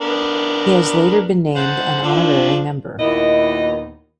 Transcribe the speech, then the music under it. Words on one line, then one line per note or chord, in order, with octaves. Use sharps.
He has later been named an honorary member.
B3 D4 A#4
C5 F#5 A5
F3 D4
D#2 A#2 B3 D#4 E4 D#5